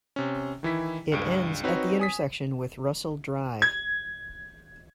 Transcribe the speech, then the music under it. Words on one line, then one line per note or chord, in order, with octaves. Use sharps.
It ends at the intersection with Russell Drive.
C3 C#4
D#3 E3 E4 B6
C#2 G2 D7
C4 D#4 F#4 B4 C#5
G#5 D#6 B6
G#6